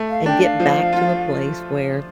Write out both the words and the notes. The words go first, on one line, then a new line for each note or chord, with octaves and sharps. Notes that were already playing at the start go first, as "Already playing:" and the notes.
and get back to a place where
Already playing: A3
F5
D4 G5
F5
F3
F4